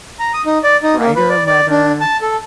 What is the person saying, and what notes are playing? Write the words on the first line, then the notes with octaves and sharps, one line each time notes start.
write her a letter,
A#5
D#6
D#4
D5
D#4
A#3
B4
D5
D5
D4
A5
A4